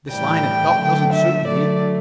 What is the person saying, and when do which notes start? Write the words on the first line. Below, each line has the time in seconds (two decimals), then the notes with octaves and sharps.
This lying at dock doesn't suit me.
0.11 A2 E3 G3 G5
0.79 D3 F#3 A3
1.13 E5
1.48 D3 F#3 A3 D5